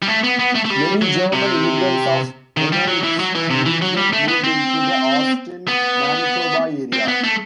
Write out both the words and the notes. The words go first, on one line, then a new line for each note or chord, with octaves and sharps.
Many German immigrants of Mennonite religion moved into the Austin Manitoba area.
G3
A3
B3
B3
A3
A3
G3
F#3
C3
D#3
G3
F#3
E3
F#3
E3
C3
E3
F#3
G3
A3
B3
C4
B3
C4
B3
A3